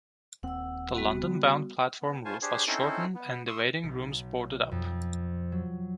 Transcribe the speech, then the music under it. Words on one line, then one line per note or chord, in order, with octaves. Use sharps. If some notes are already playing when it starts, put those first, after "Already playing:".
The London-bound platform roof was shortened and the waiting rooms boarded up.
D#1 D#2 C4 F#5 E6
G3 B3 F#4
D3
B3
F4 C5 C#5 G#5 A5
D4 G4 G#4 C5 C#5
C4 C#4 D#4 E4 A4 C5
B3
C6 C#6 D#6 E6
B1
F2
F#3